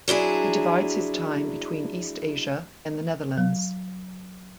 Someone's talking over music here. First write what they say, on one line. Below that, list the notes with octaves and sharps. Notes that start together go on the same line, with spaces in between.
He divides his time between East Asia and the Netherlands.
F#3 D4 E4 G#4
F#3